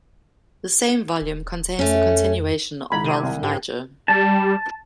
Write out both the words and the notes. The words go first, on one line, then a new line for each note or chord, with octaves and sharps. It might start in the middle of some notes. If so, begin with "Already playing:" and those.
The same volume contains the continuation of Ralph Niger.
D#1
F2 A3 C#4
G#2 D#3 G#3 E4 A#5 B5 G#6
C3 A#5 D#7
C2
G#2 G4 A#4
G3 A5